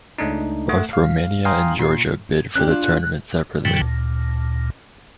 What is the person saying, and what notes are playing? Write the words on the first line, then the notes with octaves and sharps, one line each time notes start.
Both Romania and Georgia bid for the tournament separately.
C#2 A3 D4 D#4
A3 F#5
F5
F5 G5 G#5 A#5 C6 D#6
A#2 C7
C#4 D4 G4 F#6
D4 F4
F#2 A#2 D3 E3 F#3 G5
D2 A#2